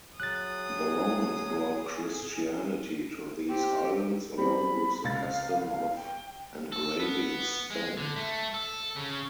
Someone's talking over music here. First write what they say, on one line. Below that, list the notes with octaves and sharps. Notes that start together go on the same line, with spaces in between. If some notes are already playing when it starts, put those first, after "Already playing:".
The Romans brought Christianity to these islands, along with the custom of engraving stone.
F#3 G#4 D#6 F#6 A6
C4 G4
G3 C4 B5
C#2 F5 A6
F5
G5
A4
B3
G#3
D3
A3
A4
C#3